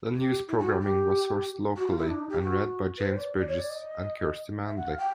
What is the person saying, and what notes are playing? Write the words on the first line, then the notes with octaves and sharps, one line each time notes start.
The News programming was sourced locally and read by James Brydges and Kirsty Manley.
G4
E4
F#4
G4
G4
F#4
F4
E4
D4
D#4
G4
F#4
B4
C5
D5
D5
C#5
D5
D#5
E5
F#5
F5
G5